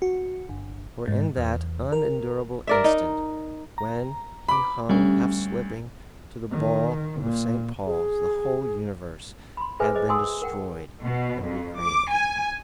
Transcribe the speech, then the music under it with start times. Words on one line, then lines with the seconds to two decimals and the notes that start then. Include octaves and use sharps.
For in that unendurable instant when he hung, half slipping, to the ball of St. Paul's, the whole universe had been destroyed and re-created.
0.02 F#4
0.49 G1
1.08 G#2
1.37 E2
1.92 A#4
2.67 A#4 D5 E5
2.84 D#4
3.78 A#5
4.49 B5 D6
4.89 D2 G3 C#4
6.51 D#3
7.21 A#2
7.86 G#4
9.57 B5 C6
9.80 G#4 A4 B4 C5 E5 G#5
9.94 G#4 C5 D#5
10.08 F#5 G#5 A5 C6 D#6 E6
10.42 A#4 F#5 G5
11.04 B2
11.46 F2
11.81 D6
12.13 G#5